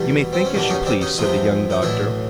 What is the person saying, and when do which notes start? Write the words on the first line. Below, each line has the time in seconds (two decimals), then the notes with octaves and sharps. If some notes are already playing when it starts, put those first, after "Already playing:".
"You may think as you please," said the young doctor.
Already playing: E2 B2 G3
0.33 C4
0.45 C#4
0.54 E2 B2 G3 A#3 D4
0.69 C#4 D#4
0.86 C4 D4
1.01 C#4 D#4
1.18 E2 C3 F3 G#3 D#4 F4
1.70 D#4
1.82 B1 A2 E3 D4 E4